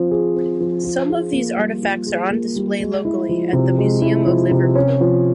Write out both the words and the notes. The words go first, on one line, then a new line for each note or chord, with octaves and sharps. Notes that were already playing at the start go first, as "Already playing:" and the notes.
Some of these artefacts are on display locally, at the Museum of Liverpool.
Already playing: F3 C4 F4
G#4
C4
F3
F4
G#4
A#3
G3
F4
G#4
A#3
G3
G#3
E4
F3
C3
G#3
E4
F3
C3
C#4
F3